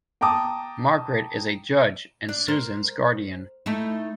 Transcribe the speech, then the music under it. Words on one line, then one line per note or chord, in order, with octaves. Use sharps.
Margaret is a judge, and Susan's guardian.
G5 A5 A#5 D6 D#6
D4
A#4 C5
A3 D#4 E4